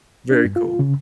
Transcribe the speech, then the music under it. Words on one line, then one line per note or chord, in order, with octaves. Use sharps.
Very cool.
D4
G2
F4
C#3